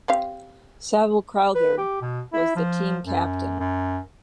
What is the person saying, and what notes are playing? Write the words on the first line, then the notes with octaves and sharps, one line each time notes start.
Saville Crowther was the team captain.
C4 G4 F5
B4
G4
B2
E4
F3
F#2
F#2